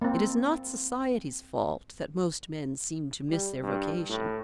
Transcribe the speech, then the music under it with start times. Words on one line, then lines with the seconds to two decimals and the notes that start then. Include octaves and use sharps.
It is not society's fault that most men seem to miss their vocation.
0.02 A#3 C4
3.30 G3
3.63 G2
4.09 A2